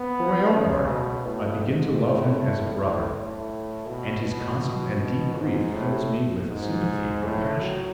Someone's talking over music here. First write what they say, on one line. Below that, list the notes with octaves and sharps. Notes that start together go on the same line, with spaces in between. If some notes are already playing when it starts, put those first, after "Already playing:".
For my own part, I begin to love him as a brother, and his constant and deep grief fills me with sympathy and compassion.
Already playing: B3
C#3
B2
A2
G#2
A2
A2
A2
B2
B2
G#2
A2
G#2
A2
F#3